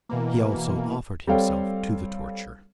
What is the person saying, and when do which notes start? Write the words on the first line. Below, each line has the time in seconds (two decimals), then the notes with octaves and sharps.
He also offered himself to the torture.
0.09 B2 E3 A#3
1.27 G3 C4 A4 C#5 F5 G5